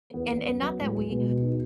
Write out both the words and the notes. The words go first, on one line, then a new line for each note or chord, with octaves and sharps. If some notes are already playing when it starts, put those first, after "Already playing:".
and and not that we
E2 B3
B3
F#2 B3
F#3
A2 G#3
G#3
B2 B3
F#4
D#4